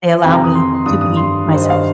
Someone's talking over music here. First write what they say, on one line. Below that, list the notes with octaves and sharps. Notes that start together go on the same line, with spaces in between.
they allow me to be myself.
F2 C3 D#3 G5
A#5
D#6
C6
C6
G2 D#3 D#6
D#6
C6
G2 D#3
C5
D#5
F5